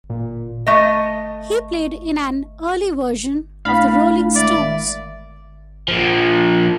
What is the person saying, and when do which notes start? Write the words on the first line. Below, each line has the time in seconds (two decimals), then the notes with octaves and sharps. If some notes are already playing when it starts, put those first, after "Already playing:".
He played in an early version of the Rolling Stones.
0.10 A#2
0.67 A3 D#5
3.65 A2 D4 F5 B5
4.35 D#3 G#3 D5 E5
5.88 A#2 F3